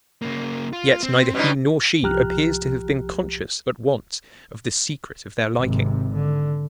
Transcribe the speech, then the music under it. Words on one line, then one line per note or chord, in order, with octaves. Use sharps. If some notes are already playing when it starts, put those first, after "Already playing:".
Yet neither he nor she appears to have been conscious at once of the secret of their liking.
C#3 A#3
F4
C4
B2 G3 C#4 D#4
C2 F3 G4 A#5 F6 F#6
G#1 C3
D3